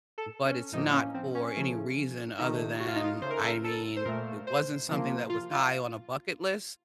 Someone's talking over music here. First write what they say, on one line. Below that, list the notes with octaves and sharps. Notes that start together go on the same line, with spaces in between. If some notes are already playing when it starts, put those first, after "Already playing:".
but it's not for any reason other than I mean, it wasn't something that was high on a bucket list,
A4
C#4
A2 F3 A#3 D#4
C#4
C4
C#4
C#3 F3 A3
C3 D#3 A3 D#4
F#4
F4
D#4
F4
C#3 A3 C5
A#4
A4
A#4
A4
C5
A#2 A3 A#4
C5
C3 F3 A#3
F4
F4